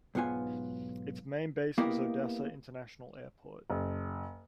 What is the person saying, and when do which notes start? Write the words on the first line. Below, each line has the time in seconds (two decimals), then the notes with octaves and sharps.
Its main base was Odessa International Airport.
0.15 B1 G#2 B3 F4 G#5
1.78 A#3 B3 E4 G4 A#4 D#5
3.70 F#1